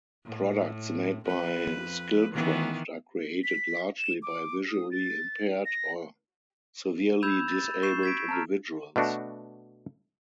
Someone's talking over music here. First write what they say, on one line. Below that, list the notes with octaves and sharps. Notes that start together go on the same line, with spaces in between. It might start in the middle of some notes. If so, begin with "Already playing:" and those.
Products made by Skilcraft are created largely by visually impaired or severely disabled individuals.
A2
F2 B4
D#3 E3 B3
B6
E7
D6
D#6
A6
A#6
B5 E6 G6 G#6 E7 F7
A6
C#6 G6 C7 E7
G#6 B6 D7
A5 A#5 F6
B2 A3 D4 F#4